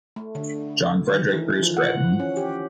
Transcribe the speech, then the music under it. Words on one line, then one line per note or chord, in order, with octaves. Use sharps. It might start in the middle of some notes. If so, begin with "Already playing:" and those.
John Frederick Bruce Gretton.
A3
D3
D#3
E3
F3
F#5
C#4
G4